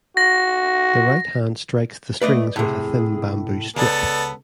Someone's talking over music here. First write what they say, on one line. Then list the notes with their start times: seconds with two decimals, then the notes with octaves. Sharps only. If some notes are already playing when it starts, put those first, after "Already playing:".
The right hand strikes the strings with a thin bamboo strip.
0.17 F#4 A#6
2.22 A3 B4 D5 D#5
2.56 A2 C3 G#4
3.76 C#2 B3 A4 D5